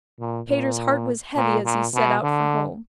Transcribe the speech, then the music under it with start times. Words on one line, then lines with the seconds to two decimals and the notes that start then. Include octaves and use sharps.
Peter's heart was heavy as he set out for home.
0.20 A#2
0.48 A#2
1.36 A#2
1.65 A#2
1.94 B2
2.23 D3